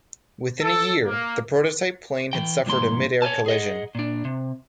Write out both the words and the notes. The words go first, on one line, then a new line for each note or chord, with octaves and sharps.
Within a year the prototype plane had suffered a mid-air collision.
A4
A#3
E3 G5
C#2 G2 E3 A#3 C6
C#5 D#5 G#5 A5
G#4 D#5 F#5
A#2 D4
C3